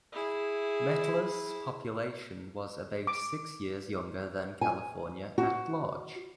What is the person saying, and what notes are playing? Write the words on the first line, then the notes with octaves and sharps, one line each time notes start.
Mettler's population was about six years younger than California at large.
E4 G#4
D6
G#5
F#4